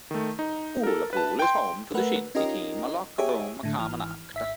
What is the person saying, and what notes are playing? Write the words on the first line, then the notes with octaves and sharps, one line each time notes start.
Ullapool is home to the shinty team Lochbroom Camanachd.
D#3 A3
D#4
A4 A#4
B4 A5
G5 C6
A3 A#4 B4 F#5
C#4 D#4 F4 G4 A#4 D#5
G4 G#4 C#5 E5
A2 D3
G#1 E3 F6
G#1 E5 B6